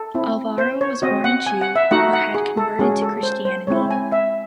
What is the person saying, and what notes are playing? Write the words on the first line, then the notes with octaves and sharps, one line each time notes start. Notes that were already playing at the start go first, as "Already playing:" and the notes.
Alvaro was born a Jew, but had converted to Christianity.
Already playing: A4
C4 E4
C5
C#5
C4 F#4 D#5
F#5
G#5
F#5
E5
A3 D#4 F#4 F#5
F#5
G#4
A4
G#3 C#4 F#4 G#4
A4
C5
C5
G#3 C4 E4 C#5
G#5
E5